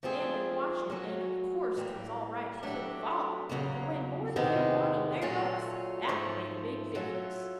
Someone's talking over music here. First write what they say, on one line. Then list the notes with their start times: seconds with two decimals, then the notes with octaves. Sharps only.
They had been watchin' an', of course, 'twas all right to kill Father, but when 'Mord' killed one o' their bucks, that made a big difference.
0.03 F3 A3 C4 F4 G#4
0.90 F#3 A#3 C#4 F#4
1.76 A2 E3 G3 A#3
2.63 F#3 A3 D4 G4
3.49 E2 C#3 F#3 A#3
4.36 E2 C3 D#3 G#3 B3
5.22 A#2 F#3 A3 C#4 F4
6.09 G#2 F3 A3
6.95 F#3 A3 C#4 F4 A4